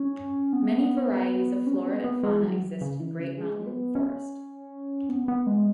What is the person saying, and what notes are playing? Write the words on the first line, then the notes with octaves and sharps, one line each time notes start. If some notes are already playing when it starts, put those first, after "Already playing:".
Many varieties of flora and fauna exist in Great Mountain Forest.
Already playing: C#4
B3
C#4
B3
B3
G#3
F#3
C#3
E3
C#3
G#3
B3
C#4
B3
B3
G#3